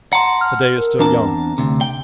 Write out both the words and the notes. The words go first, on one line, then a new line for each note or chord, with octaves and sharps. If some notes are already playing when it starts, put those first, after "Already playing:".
The day is still young.
F#5 A5 A#5 C6
F6
A#4
E2 C4 D4 A5 A#5
D2 C3
G5